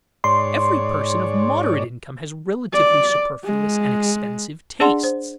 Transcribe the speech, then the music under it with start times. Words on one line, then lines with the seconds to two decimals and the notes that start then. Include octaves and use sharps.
Every person of moderate income has relatively superfluous and expensive tastes.
0.24 G#2 C#5 D5 C6
2.73 D5
3.44 G#3
4.80 D4 G#4 D5 F#5 A5 C6
5.04 C5